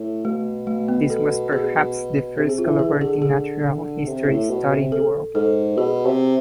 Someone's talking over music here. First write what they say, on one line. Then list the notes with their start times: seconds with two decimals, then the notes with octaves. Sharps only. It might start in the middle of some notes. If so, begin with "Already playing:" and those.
This was perhaps the first collaborative natural history study in the world.
Already playing: A2
0.25 B2 A3
0.67 A3
0.88 B3
1.10 A4
1.53 G#4
2.37 C3 G#4
2.49 G#4
2.58 F4
2.66 E3
2.79 G#4
2.94 D3
3.01 G#4
3.22 G#4
4.07 C3
4.29 A2
4.50 B2
4.71 C3
4.92 A4
5.34 G#2 A4
5.77 B2 G#4
6.06 C3